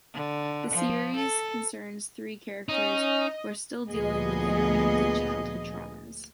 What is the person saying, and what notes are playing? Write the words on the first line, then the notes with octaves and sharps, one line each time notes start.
The series concerns three characters who are still dealing with interconnected childhood traumas.
D3
F3
A4
C#4 D#4 D#5
D2 A#2 F3 B3 G#4 D#5